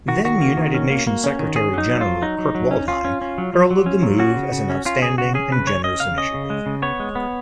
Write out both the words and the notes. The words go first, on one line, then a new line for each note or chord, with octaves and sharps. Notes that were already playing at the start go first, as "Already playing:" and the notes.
Then-United Nations Secretary-General Kurt Waldheim heralded the move as an outstanding and generous initiative.
D#3 F#4
D#3 F#4
A#3
D#3
C#4
A#3
A#3
C#4
D#3
C#4 G#4
F#3 D#4
F#3
F4
F#3
F#3 D#4
F#3
F#3
C#4
C#4 F4
C#4
C#4
F#3
F#3
F#3
C#4
F#3
C#4 F#4
C#3
C#3
C#4
C#4 F4
C#3 G#4
C#3 F#4
C#4 G#4
C#3 B4
C#4 C#5
C#4 D#5
C#3 F5
C#4 D#5
C#3
G#3
C#3
B3 C#5
G#3
B3